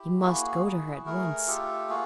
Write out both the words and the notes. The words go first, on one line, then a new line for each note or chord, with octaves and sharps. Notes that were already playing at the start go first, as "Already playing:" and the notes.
He must go to her at once.
Already playing: E4 G4
A#3 F#4 G#4
E4
A3 G#4 A#4
F4 G4 A4
A#3 F#4 G#4